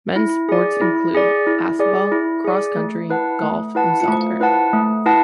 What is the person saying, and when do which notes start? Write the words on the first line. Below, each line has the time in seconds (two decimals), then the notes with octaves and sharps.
Men's sports include: basketball, cross country, Golf, and soccer.
0.16 E4
0.49 G#4 D5
0.81 E4
1.14 G#4 D5
1.47 E4
1.79 G#4 D5
2.12 E4
2.45 G#4 D5
2.77 A3
3.10 E4 B4 F#5 A5
3.42 A3
3.75 E4 B4 F#5 A5
4.08 A3
4.40 E4 B4 F#5 A5
4.73 A3
5.06 E4 B4 F#5 A5